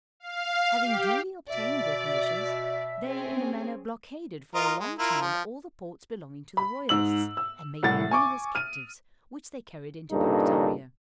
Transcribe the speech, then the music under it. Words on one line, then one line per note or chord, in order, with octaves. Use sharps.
Having duly obtained their commissions, they in a manner blockaded for a long time all the ports belonging to the royalists, and made numerous captives, which they carried into Barrataria.
F5
G4
B2 D5 E5
C4 C#4 G#4
F4 A#4 D#5
G#3
E4 F4 A#4
F3
B5
G#2 E6 F#7
E6
C2 A2 F#5 A6
G#5 C#6 D6
F6 D#7
G2 A#2 C#3 D#4 A4